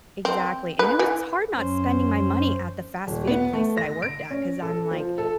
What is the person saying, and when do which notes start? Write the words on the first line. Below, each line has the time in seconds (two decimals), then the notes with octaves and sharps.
Exactly. And it was hard not spending my money at the fast food place that I worked, 'cause I'm like,
0.25 C4
0.79 B4
0.99 E3
1.55 F#2 C#4 C5
3.07 D#1
3.27 B3
3.53 A3
3.77 A#6
4.02 D7
4.31 C#4
4.62 A4
4.91 F3
5.18 A4